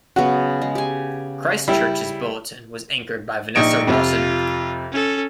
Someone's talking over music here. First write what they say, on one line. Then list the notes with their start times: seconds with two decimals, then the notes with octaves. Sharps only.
Christchurch's bulletin was anchored by Vanessa Rawson.
0.16 C#3 F#3 B3 F#4
0.61 G#3
0.75 G4 G#5
1.68 G3 E4 B5
3.55 A#1 D#4 C#6 D7
3.87 F2 C3 F4
4.92 C#4 A4